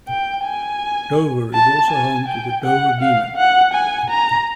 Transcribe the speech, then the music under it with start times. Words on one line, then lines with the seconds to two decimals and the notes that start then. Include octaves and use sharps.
Dover is also home to the Dover Demon.
0.09 G5
0.45 G#5
1.54 A5
1.91 G#5
2.28 G5
2.64 F#5
3.01 F5
3.36 F#5
3.73 G#5
4.10 A#5